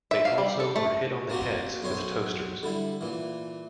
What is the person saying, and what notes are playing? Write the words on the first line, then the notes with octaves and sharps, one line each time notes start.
They also were hit on the heads with toasters.
E5
F5
G3
A4
A3
A#3 C4 F#4 G4
B1 F#2 C5 C#5 G#5
D3 G3 E4
A#2 E3